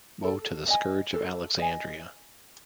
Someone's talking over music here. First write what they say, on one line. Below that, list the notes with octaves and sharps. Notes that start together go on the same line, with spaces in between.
Woe to the scourge of Alexandria!
A4
D#5 G#5
A4
D#5 G#5